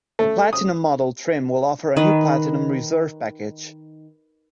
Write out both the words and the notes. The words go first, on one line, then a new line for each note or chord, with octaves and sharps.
The Platinum model trim will offer a new Platinum reserve package.
A3
D#6
D#3 B4